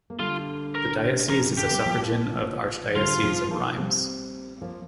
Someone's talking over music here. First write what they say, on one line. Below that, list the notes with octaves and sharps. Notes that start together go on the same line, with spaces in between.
The diocese is a suffragan of the Archdiocese of Reims.
A#3
D3 G3 F4
A#4
C3 F3 A#4
C3
D3 G4
G3 C4
F3 A#3
D3 G3 F4
C3 F3
F3 A#3
G3 C4
F3 A#3